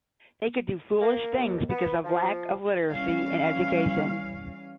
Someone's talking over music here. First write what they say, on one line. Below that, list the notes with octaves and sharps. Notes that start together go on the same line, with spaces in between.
They could do foolish things because of lack of literacy and education.
A#3
D#2
B3
F3
E3 G3 C#4 F5